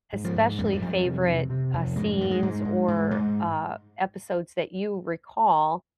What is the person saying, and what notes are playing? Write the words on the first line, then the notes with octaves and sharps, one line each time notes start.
especially favorite, uh, scenes, or, uh, episodes that you recall
G#2
F3
G#2
F2 G3
G#3
G3
F2
C3
C3
C3
F2
G#2 G#3
G#2 G3
G#3
G#2
G#2
G#2
G#2